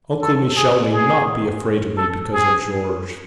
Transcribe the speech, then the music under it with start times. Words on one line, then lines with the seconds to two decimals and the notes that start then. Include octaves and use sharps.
Uncle Michel need not be afraid of me, because of George.'
0.22 A4
0.56 G#4
0.92 G#4
1.97 A4
2.33 G#4